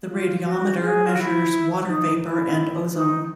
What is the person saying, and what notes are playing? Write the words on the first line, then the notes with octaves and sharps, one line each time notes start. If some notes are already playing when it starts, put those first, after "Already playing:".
The radiometer measures water vapor and ozone.
G4
F4
F#4
G#4
F4
F#4
E4
D#4
E4
D#4